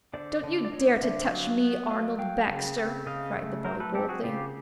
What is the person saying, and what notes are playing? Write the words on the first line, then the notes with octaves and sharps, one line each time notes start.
"Don't you dare to touch me, Arnold Baxter!" cried the boy boldly.
D3 C5 D5
D3
D5
D3 C#5 D#5
D3 D5 E5
F#3 D#5 F5
B3
F#3 D#5 F5
F#3 F5 G5
C#3
C4
C#3 D#5 F5
A3
F#3 A#4 C5
A4 B4
C4 G4 A4
F#4 G#4
C#3 F4 G4